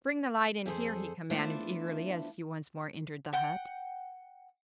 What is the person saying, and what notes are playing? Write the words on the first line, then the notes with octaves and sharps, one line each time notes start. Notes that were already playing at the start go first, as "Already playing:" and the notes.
"Bring the light in here!" he commanded eagerly, as he once more entered the hut.
F2 G#4 A4 C5
E3 A3 B3 D4 F4 C5
F#5 G5